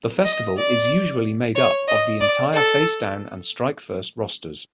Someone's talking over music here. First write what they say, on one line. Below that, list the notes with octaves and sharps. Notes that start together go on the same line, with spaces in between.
The festival is usually made up of the entire Facedown and Strike First rosters.
D#5
D5
C#5
D#5
D5
A4